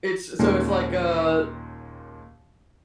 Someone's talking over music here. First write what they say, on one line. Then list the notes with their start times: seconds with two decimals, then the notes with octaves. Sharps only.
It's so it's like, uh,
0.39 D#2 A#2 D#3 G#3 C#4